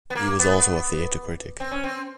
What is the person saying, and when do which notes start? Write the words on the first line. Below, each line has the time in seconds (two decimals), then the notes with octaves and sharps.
He was also a theatre critic.
0.10 B3
0.15 A#3
0.39 B3
1.60 C4
1.71 C#4
1.84 C4